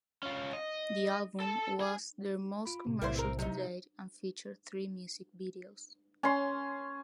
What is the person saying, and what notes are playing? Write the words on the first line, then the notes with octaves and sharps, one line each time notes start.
The album was their most commercial to date, and featured three music videos.
C#4 F4
D#5
A4 A5
G#4
F4 B5
A2 C3
B1 A#3 E4 C5
C4 A#4
C3 F#3 D#4
C#4 C6